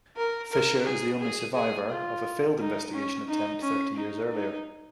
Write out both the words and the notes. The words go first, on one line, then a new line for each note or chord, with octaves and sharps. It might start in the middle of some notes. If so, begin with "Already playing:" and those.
Fischer is the only survivor of a failed investigation attempt thirty years earlier.
A#4
A#4
G#4
G#4
G#4
F4
D#4
C#4
D#4
C#4
D#4
D#4